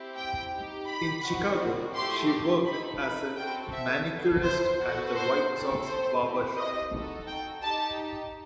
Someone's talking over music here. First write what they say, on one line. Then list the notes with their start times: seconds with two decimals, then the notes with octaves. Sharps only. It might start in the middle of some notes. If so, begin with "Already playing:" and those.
In Chicago, she worked as a manicurist at the White Sox Barber Shop.
Already playing: C4 E4 G4
0.16 G5
0.53 D#4 G4
0.88 B5
1.23 C4 D#4 F#4
1.94 A3 E4 G4 C6
2.65 D#4 A4 B5
3.01 B5
3.36 C4 F#4 A4 G5
3.72 E5
4.07 B3 E4 A4
4.43 C5
4.79 B3 F#4 A4
5.14 C5
5.49 C4 E4 A4
5.85 C5
6.20 C4 E4 G4
6.56 D#5
6.92 D#4 F#4 A4
7.27 G5
7.63 D#4 G4 A5